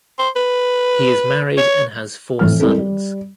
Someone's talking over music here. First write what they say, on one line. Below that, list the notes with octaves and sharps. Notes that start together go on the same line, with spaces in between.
He is married and has four sons.
C5
B4
C#5
F2 A2 E3 F6
G3 G#3 C4 E4 A4 A#4
G3